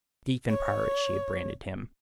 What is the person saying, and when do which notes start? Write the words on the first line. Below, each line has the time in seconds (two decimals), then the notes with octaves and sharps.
Thief and pirate she had branded him.
0.49 C#5